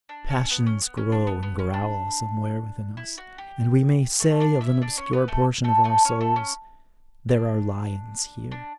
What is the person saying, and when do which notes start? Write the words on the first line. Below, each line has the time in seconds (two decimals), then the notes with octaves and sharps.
Passions grow and growl somewhere within us, and we may say of an obscure portion of our souls, "There are lions here."
0.09 D4
0.30 C#4
0.50 B3
0.66 C#4
0.82 B3
0.97 C#4
1.12 D4
1.27 B3
1.43 B3
1.59 C#4
1.74 D4
2.97 E4
3.18 F#4
3.38 G4
4.20 A3 A4
4.40 D4 D5
4.61 E4 E5
4.82 D4 D5
4.98 C#4 C#5
5.13 B3 B4
5.28 A3 A4
5.64 A3 A4
5.84 A3 A4
6.05 C#4 C#5
6.21 A3 A4
6.36 C#4
7.29 D4
8.52 D4